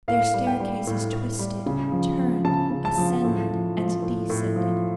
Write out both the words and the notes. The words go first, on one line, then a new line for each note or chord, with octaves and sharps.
Their staircases twisted, turned, ascended, and descended.
A2 F5
G3
G5
G3
A2
A2
G3
C#3
F3
F3
C#3 A5
C#3
A5
F3
A2
F3
F3
A2
A2
F3